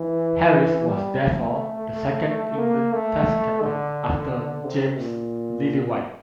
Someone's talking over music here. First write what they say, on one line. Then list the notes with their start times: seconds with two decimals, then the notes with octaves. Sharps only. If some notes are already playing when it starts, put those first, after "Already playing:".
Harris was therefore the second England Test captain after James Lillywhite.
Already playing: E3
0.87 G3
1.21 A3
2.58 A#3
2.93 A3
3.62 D3
4.65 C3
4.99 A#2